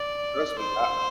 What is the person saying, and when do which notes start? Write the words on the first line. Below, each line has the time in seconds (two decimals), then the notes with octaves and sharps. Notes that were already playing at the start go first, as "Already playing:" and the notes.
Trust me. I
Already playing: D5
0.59 C5